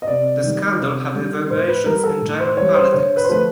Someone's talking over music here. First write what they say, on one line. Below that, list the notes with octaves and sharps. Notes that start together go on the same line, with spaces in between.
The scandal had reverberations in German politics.
D#5
C3 D5
D#3 G3
C3
D#3 G3
A2 C5
B4
E3 G3 A#4
A4
A2
C5
E3 G3 C#5
C5
D3 C#5
B4
C5
F3 A3 B4